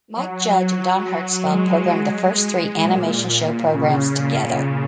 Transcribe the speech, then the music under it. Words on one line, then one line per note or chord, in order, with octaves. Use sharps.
Mike Judge and Don Hertzfeldt programmed the first three "Animation Show" programs together.
F#3
F#3
G#3
G#3
A#2
C#3
A#2